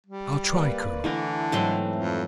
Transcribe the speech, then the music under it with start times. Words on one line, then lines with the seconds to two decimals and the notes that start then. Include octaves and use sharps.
"I'll try, Colonel!"
0.07 G3
0.53 A#3 B4 D5
1.04 D3 E3 A3 A#4
1.23 E4
1.52 G#2 E3 F#3 A3 C4 C5 G5 C6
1.96 F2